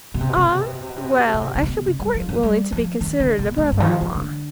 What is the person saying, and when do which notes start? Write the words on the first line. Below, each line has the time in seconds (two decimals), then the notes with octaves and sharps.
"Ah! well, I shall be quite willing to be considered a brother-in-law."
0.14 B2
0.21 C3
0.29 B2
0.37 C3
0.44 B2
0.52 C3
0.58 B2
0.66 C3
0.74 B2
0.81 C3
0.89 B2
0.96 C3
1.04 B2
1.11 C3
1.18 B2
1.26 C3
1.33 B2
1.41 C3
1.48 B2
1.55 C3
1.63 B2
1.86 C3
2.00 G3
2.14 F3
2.29 F3
2.43 G3
2.72 F3
3.01 D#3
3.20 D3
3.39 B2
3.58 G#2
3.72 G2
3.80 D#3
3.87 F3
4.01 F3
4.15 D3